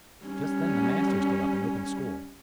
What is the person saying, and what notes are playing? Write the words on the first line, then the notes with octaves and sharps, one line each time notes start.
Just then the master stood up and opened school.
G3 C#4